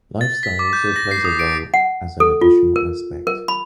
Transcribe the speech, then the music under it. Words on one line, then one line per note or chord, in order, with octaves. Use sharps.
Lifestyle also plays a role as an additional aspect.
A6
B6
D6
G6
A#6
C7
D#6
D7
F#5
A4
F4
A#4
A#4
B5